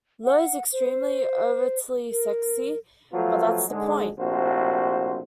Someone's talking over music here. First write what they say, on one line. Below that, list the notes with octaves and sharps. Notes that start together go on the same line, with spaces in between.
Lo is extremely, overtly sexy but that's the point.
F#5
C5
A#4
F3 F#3 A3 B3 F4
G#2 D3 G#3
A#1 A2 C3 F#4 C5